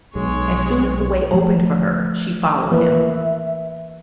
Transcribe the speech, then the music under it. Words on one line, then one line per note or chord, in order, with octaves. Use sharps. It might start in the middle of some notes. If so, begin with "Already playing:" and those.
As soon as the way opened for her, she followed him.
B1 G#3 C#5
F3 A3
E3 A#3 B4 E5